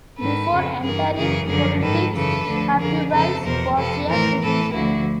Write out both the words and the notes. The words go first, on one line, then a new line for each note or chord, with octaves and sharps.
Before entering politics, Hurtubise was a physician.
G#2 D#3 A4 B4
F2 C#3 F3
G2 E3 G#4 A#4
F#2 C#3 E3 G#4 A#4
F#2 D3 F3 G#4 A#4
G#2 D#3 A4 B4
F#2 C#3 E3 A4 B4
D2 D3 F3
F2 D3 F3 G#4 A#4
F2 C#3 F3 A4 B4
E2 B2 A#4 C5
F2 C3 F3 A4 B4
A2 E3 A#4 C5
A2 E3 A4 B4
D2 D3 F3 E4 F#4